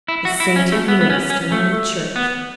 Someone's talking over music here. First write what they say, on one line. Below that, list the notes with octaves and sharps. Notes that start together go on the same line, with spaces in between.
The sainted minister in the church!
E4
F#4
E4
C#4
A3
B3
B3
C#4
C#4
A3
B3